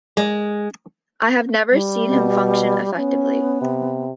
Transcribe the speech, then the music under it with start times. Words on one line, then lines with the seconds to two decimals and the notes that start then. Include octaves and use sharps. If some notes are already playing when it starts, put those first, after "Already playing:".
I have never seen him function effectively.
0.17 G#3
1.72 G3
2.11 B2
2.97 B3 C#4
3.61 C3